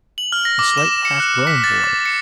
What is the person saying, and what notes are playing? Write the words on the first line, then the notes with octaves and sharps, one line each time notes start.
A slight, half grown boy.
F#7
F6
A#6
D6
E7
C#7
F#6
B6
A6
D6
C#7